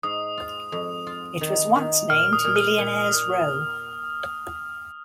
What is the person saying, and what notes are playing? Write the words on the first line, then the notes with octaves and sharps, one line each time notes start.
It was once named "Millionaire's Row".
G#2 D#6
F4
F2
F4
D#3
D#3
A#2 F6
D#6
A#2
F6
A#2
A#2